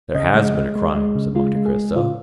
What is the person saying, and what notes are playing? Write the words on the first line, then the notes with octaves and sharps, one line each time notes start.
"There has been a crime," said Monte Cristo.
C#3 D#5
G#3
G#3
G#3
G#3
C#3
G#3 F4
G#3
G#4
G#3
C#3 F4